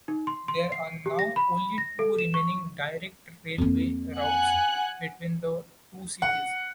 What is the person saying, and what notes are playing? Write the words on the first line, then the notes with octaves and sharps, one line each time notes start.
There are now only two remaining direct railway routes between the two cities.
D#4
C6
C6
C7
G4
A#6
B5
A#6
A4
E7
C#6
F2 A#3
F#5 G#5 F#6
F#5